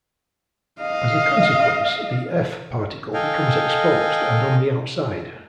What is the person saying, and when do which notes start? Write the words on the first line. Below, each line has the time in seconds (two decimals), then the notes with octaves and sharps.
As a consequence, the F particle becomes exposed and on the outside.
0.80 D#5 F5
3.14 A4 D#5 F5 G5 G#5